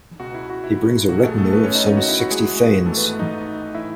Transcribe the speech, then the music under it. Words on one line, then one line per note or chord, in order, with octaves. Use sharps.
He brings a retinue of some sixty thanes.
C#2 B2 F#4
E4
F#4
E4
B1 B2 F#4
G#4
A3 A4
A3 A4
B3 B4
C#4 C#5
D#4 D#5
C#4 C#5
D#2 D#3 F#4
E4
F#4
G#3 G#4
G#1 G#2 E3 A3 A4
B3 B4
D#4 D#5
A2 E3 E4 E5